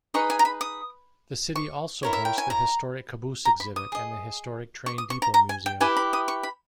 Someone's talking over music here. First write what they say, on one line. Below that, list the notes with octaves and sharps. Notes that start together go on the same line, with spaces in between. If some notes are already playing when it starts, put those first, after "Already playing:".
The city also hosts the Historic Caboose exhibit and the Historic Train Depot museum.
D#4 G#4 B4 D#5 C#6
G#5
A#5
B5
D#6
C#6
E4 A#4 C#5
E5
G5
G#5
A#5
A#5
B5
D#6
G#4 D#5
C#6
D#6
C#6
A#5
A#5
G#5
G5
E4 G4 B4 G#5
B5
D#6
C#6
B5